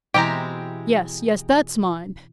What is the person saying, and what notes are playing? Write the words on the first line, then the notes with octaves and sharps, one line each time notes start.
Yes, yes; that's mine.
B2 E3 G#3 C4 E4 G4 G5 A#5